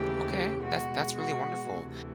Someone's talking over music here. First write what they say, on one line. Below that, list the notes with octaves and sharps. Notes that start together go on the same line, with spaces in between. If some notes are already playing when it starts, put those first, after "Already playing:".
Okay. That's that's really wonderful,
Already playing: D#2 C#3 E3 A3 G4
B2 G#3 F#4
F#4
D2 C3 E3 A3